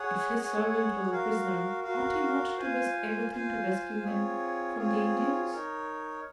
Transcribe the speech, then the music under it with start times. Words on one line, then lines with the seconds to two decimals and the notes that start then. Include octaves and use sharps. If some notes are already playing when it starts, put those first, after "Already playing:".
If his servant was a prisoner, ought he not to risk everything to rescue him from the Indians?
Already playing: G#4 C#5 F#5
0.37 G#4 C#5 F#5
1.10 F#4 A#4 F5
1.84 F#4 A#4 F5
2.57 F4 C5 F5 G#5
3.31 F4 C5 F5 G#5
4.03 C4 F4 G#4 C#5
4.77 C4 F4 G#4 C#5
5.51 D#4 A#4 C#5